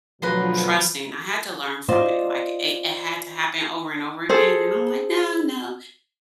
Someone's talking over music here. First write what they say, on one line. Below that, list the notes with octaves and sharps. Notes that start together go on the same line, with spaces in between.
trusting. I had to learn from it, like, it it had to happen over and over again, and I'm like, "No, no,"
D2 B2 F3 F#3 B4 A#5 C6
F4 C5 D5 D#5
G#4 A4 C5